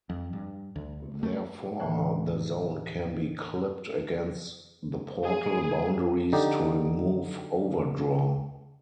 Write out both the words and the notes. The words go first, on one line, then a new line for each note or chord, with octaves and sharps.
Therefore, the zone can be clipped against the portal boundaries to remove overdraw.
F2
G2
D2
A3
D2 A2 D3 E3
G#4
D3 D#4 G4